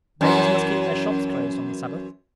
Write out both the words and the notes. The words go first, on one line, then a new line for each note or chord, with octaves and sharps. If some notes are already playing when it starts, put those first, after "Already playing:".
Bakers must keep their shops closed on the Sabbath.
F#2 E3